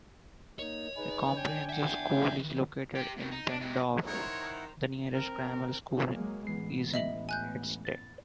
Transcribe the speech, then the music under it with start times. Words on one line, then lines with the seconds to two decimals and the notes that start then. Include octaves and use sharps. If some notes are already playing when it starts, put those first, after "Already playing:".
A comprehensive school is located in Benndorf, the nearest grammar school is in Hettstedt.
0.59 A#3 D#4 C#5
0.97 D#4 G#4 B4
1.37 D4 G5 G#5
1.69 E5 F#5
2.38 D#3 E3
2.95 C4 G4
3.18 B2 D#3
3.31 D#4
3.48 D4
3.60 C3 G#3
4.07 D#3 E4 C5 C#5 F#5 A#5
5.11 C4 A#4
6.11 F#3 G#3 A#3
6.47 A1 E3 G#3 B3 C7
6.94 D#5 E5 F#7
7.29 G#5 F#6 G6
7.85 A6